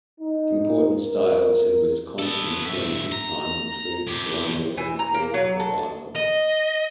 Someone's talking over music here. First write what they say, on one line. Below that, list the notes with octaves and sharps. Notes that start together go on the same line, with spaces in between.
Important styles in Wisconsin during this time include colonial and Greek revival.
D#4
A#4
B3 A4
G2 E5
A#5
F2 G4
E3
A#5
A#3
F#3
A4
D#5